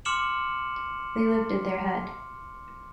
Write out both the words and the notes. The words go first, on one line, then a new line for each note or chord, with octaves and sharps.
They lifted their head.
C6 D6 F6 C#7 E7 F#7